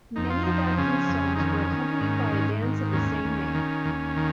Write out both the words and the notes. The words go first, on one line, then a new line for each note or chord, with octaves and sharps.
Many of Adkins' songs were accompanied by a dance of the same name.
F2 D#4
F4
F3 D#4
C#3 C#4
F2
D#4
D#3 C#4
D#3
G#2
G#2
D#3
D#2 C#4
D#2
D#3
D#2
D#3